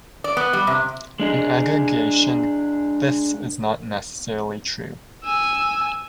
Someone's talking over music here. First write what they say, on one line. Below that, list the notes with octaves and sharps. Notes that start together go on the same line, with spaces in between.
In aggregation, this is not necessarily true.
D5
B3
G3
C3
G#3 D4 G#4
G#5 E6